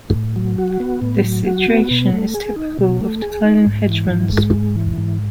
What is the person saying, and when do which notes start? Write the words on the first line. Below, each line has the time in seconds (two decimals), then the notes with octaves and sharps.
This situation is typical of declining hegemons.
0.14 A2
0.36 F#3
0.58 F#4
0.80 B3
1.02 A2
1.24 F#3
1.47 F#4
1.68 B3
1.91 B2
2.13 A3
2.35 G#4
2.56 D#4
2.79 B2
3.01 A3
3.22 G#4
3.44 D#4
3.67 G#2
3.88 E3
4.11 G#2
4.33 G#3
4.54 G#2
4.76 E3
4.98 G#2